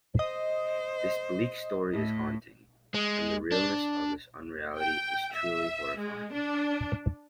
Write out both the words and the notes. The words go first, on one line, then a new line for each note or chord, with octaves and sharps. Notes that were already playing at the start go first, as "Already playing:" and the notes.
This bleak story is haunting, and the 'realness' of this unreality is truly horrifying.
C5 D#5
A2
G#3
D4
G5
E5
G#3
D4